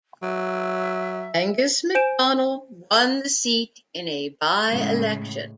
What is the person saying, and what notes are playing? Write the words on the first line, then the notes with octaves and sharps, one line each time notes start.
Angus Macdonell won the seat in a by-election.
F#3 E5
C5 G#5 G6 D7 E7
A2 C#3 G#3